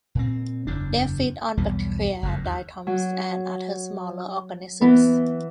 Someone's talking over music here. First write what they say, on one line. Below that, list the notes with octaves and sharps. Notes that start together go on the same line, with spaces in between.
They feed on bacteria, diatoms, and other smaller organisms.
A#2 C4
F#1 E2 D4
B1 E2 G3
F#1 F2 G#2
D#2
F#3
E3 B3